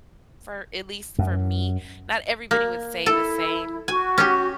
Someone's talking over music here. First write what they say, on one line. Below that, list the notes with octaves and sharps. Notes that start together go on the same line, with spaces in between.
for at least for me. Not everybody would say the same
F#2
A#3
E4 A4
F#4 G#5
C#4 G4